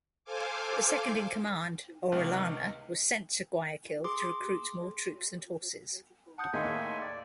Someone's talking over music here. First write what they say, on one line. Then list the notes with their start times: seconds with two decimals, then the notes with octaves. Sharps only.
The second-in-command, Orellana, was sent to Guayaquil to recruit more troops and horses.
0.24 A4 C5 F5 G#5 D6
2.12 C#2 C3 D#3 D#4
4.04 G#4 C6 D6
6.38 F#5 A5 D#6 G6
6.53 D#2 A2 A#3 G#4 D#5 E5 G#5 C6
7.01 D5